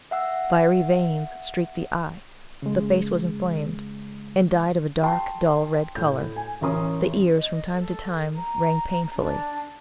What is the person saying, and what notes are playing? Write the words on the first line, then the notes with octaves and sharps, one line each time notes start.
Fiery veins streaked the eye; the face was inflamed, and dyed of a dark dull red colour; the ears from time to time rang painfully.
E5 F#5 E6
C#3 G#3
G5 A5 C6
A2 G6
G#5
A1 C#4 A#4 C6 D#6
D#5
A4
A#5
D4